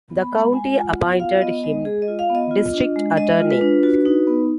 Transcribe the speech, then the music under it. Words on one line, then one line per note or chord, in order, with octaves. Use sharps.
The county appointed him district attorney.
B3
B5
G#3
G#3 G#5
F4
F#5
B3
F4 F5
B3 D#5
G#3 D#5
G#3 G#4
D#5
F4
F5
B3
D#5
F4
D4
G#3
G#3 D#5
F4
B4
D4
F#4
D#4
B3